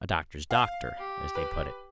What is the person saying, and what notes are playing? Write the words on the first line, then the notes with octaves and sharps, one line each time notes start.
A doctor's doctor, as they put it.
F5
G4
B4